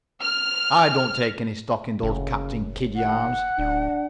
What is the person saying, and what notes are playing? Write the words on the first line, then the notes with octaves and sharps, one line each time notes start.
I don't take any stock in those Captain Kidd yarns.
F6
F#1 C#3
D#2 F#5
D1 D4